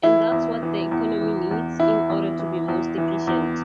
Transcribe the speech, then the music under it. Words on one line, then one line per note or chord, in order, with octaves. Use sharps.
And that's what the economy needs in order to be most efficient.
E3 E4
E2
E3
E2
E3
E2
E3 E4
E2
E3
E2
E3
E2